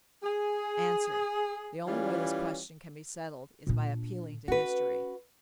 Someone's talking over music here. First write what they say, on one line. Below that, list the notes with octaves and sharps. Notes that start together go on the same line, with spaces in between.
ANSWER: The only way this question can be settled is by appealing to history.
G#4
E3 G3 C#4 F4
A#2 D4
C#4 F#4 B4